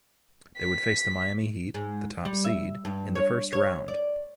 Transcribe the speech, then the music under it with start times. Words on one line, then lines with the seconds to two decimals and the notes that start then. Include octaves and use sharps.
They would face the Miami Heat, the top seed, in the first round.
0.58 B6
1.74 G#2
2.25 G3
2.45 E5
2.85 G2
3.15 C#5
3.53 C#5
3.88 D5